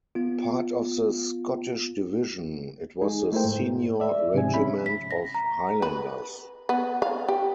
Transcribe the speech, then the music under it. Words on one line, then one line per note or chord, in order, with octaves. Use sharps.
Part of the Scottish Division, it was the senior regiment of Highlanders.
B3 F4
G#3 D#4 G#4
A3 E4 A#4 C5 G5
G#2
D5 E5
G#2 C3 F3 C4 G#5
C#4 E5 B5
B6
A#6
A#5
B4
B3
F5
G4